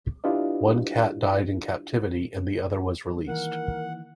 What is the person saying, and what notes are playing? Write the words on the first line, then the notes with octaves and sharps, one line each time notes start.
One cat died in captivity, and the other was released.
D4 E4 F4 G4 B4 D#5
D#3 E3 A#3 A#4 F#5